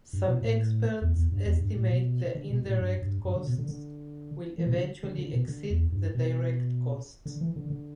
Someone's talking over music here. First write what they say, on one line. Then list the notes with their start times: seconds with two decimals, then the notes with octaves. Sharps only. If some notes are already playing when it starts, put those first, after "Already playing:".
Some experts estimate the indirect costs will eventually exceed the direct costs.
0.13 G2
0.28 B2
0.42 A2
1.02 E2
1.16 E2
1.32 G2
1.46 E2
1.60 G2
1.76 A2
1.90 B2
2.35 D3
2.50 B2
2.66 A2
2.80 G2
3.02 G2
3.25 G2
3.35 D3
3.47 B2
3.58 D3
3.69 D3
4.58 E3
4.66 B2
4.73 D3
5.03 D3
5.18 D3
5.33 B2
5.48 D3
5.70 E2
5.92 G2
6.15 B2
7.25 D3
7.41 E3
7.56 D3
7.70 D3